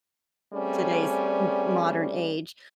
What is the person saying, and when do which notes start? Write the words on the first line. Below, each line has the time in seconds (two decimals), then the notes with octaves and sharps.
today's m modern age,
0.53 G3 A3 C4 C#4 G#4 D5